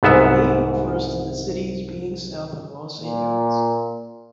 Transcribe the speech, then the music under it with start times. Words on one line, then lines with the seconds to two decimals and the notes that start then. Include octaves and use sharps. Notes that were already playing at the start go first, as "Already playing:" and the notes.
The name refers to the city's being south of Los Angeles.
0.03 C2 G#2 B3 E5
2.99 A#2